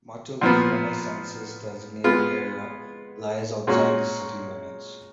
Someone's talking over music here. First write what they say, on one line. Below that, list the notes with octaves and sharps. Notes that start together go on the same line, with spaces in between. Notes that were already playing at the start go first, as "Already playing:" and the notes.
Much of the former census-designated area lies outside the city limits.
A#2 F3 B3
G#3 B3 F4
A#2 G#3 C#4 F#4